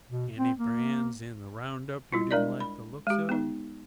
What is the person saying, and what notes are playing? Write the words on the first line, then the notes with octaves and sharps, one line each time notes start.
"Any brands in the round-up you didn't like the looks of?"
B2
C4
A#3
G3 E4 F4
G#3 D4 A#4 D5 D#5
B5
G#3 G4
B3 D#4